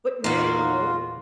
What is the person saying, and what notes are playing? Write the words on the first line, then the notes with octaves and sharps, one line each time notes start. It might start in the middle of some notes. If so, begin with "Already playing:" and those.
But now,
E2 A#2 A#3 D#4 F4 F#4